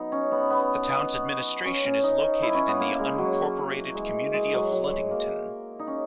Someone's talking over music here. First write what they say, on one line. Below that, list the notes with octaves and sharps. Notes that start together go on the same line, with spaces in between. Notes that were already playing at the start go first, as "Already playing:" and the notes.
The town's administration is located in the unincorporated community of Ludington.
Already playing: F#3 B3 D#4
C#4
B3
B3
C#4
C#4
D#4
E4
C#4
B3
A#3
G#3
F#3
G#3
G#3
F#3
F#3
G#3
A#3
D#4
C#4